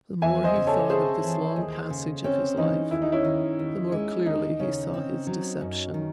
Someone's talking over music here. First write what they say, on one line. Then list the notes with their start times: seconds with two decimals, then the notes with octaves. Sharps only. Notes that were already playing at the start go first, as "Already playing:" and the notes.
The more he thought of this long passage of his life, the more clearly he saw his deception.
0.22 E2 E5 G#5
0.44 C5 D#5
0.56 C#3
0.67 A4 C#5
0.90 C4 G#4 C5
1.24 E3
1.56 D#2
1.90 C#3
2.24 C4 C#4
2.57 E3 D#4
2.91 D#2 E4
3.02 D#4
3.12 C#4 E4
3.24 D#3
3.59 D#2
3.92 G#3
4.26 D#2 D#4
4.59 C#3 C#4
4.94 C4
5.27 F#3
5.61 F#2
5.94 D#3